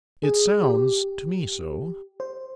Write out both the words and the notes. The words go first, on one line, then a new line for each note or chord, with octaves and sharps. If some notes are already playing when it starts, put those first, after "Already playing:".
'It sounds to me so.
G#4
G4
C5